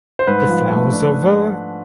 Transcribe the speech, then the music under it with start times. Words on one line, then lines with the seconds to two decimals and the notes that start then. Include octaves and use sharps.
The flowers of var.
0.19 C5
0.27 G#2 B4
0.49 F3
0.70 A3
0.92 D4